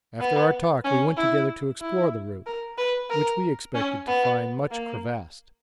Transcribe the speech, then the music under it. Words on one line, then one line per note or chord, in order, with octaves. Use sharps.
After our talk we went together to explore the route, which we expected to find much crevassed.
B3
C#4
E4
E4
A#4
B4
A#4
C#4
B3
A#3